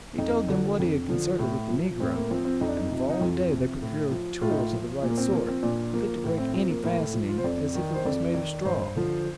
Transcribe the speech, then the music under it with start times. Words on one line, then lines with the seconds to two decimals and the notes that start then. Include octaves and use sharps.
He told them what he had concerted with the negro, and the following day they procured tools of the right sort, fit to break any fastening as if it was made of straw.
0.18 F2 D#4
0.48 D3 F3 D4
0.79 F2
1.09 D3 F3
1.39 A2
1.70 F3
2.00 A2 C4
2.15 A#3
2.31 F3 C4
2.45 C4
2.61 F2 D#4
2.68 D4
2.77 D#4
2.90 C3 F3
3.10 D#4
3.20 F2 F4
3.52 C3 F3
3.82 A2
4.11 F3
4.41 A2 F4
4.50 D#4
4.58 F4
4.73 F3
5.03 A#2
5.10 A#3
5.17 C4
5.33 F3 A#3
5.48 C4
5.63 A#2 D4
5.93 F3 A#3
6.24 A2
6.38 C4
6.53 F3 C4
6.69 A#3
6.83 A2 A#3
6.99 A4
7.14 F3
7.29 F4
7.38 C5
7.44 F2 D5
7.75 D#3
7.94 C5
8.05 F2 D5
8.35 D#3 D5
8.65 G2 C5
8.96 D3 F3